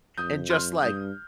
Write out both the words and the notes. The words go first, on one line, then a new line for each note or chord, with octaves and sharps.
and just, like,
F2 D#6 G6
C6 F6
G2 D#6 G6